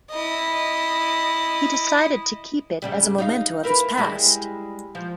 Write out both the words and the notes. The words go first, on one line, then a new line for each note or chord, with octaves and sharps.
He decided to keep it as a memento of his past.
E4 D#5
G#2 C#3 G3
D#4 D5 F5
E4 A#4 B4
G3 G#3 E4
F3